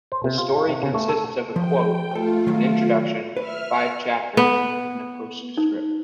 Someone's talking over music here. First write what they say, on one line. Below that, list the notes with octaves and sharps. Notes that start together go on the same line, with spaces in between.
The story consists of a quote, an introduction, five chapters, and a postscript.
C5
C3
F4
F4
C3
C#3
A3
A4
F3 G5
A3 F4 A4 G5
D#3 F#3
B4 E5 F6
B3
D#4